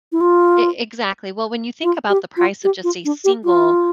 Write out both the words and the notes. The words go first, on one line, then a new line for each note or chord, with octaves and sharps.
E exactly, well, when you think about the price of just a single
E4
F4
F4
G4
F4
G4
F4
D4
G4
F4